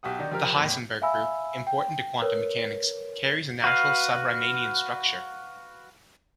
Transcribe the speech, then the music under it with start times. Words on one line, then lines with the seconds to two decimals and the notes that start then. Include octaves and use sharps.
The Heisenberg group, important to quantum mechanics, carries a natural sub-Riemannian structure.
0.03 B1 G4 F#5 D#6
0.19 D#3 D4 D#4
0.31 F3 G4 A#4 F6
0.57 E2 A2
1.02 E5 F5 G#5 B5 E6
1.67 G5
2.22 A#4 B4 C#5
3.64 F#4 B4 F5